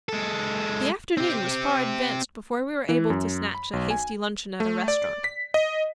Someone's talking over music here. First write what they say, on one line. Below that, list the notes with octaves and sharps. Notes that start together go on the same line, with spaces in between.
The afternoon was far advanced before we were able to snatch a hasty luncheon at a restaurant.
G#3 A4
C4 G4
E3
F#2
B5
B1
G#5
A3
D5
B6
D#5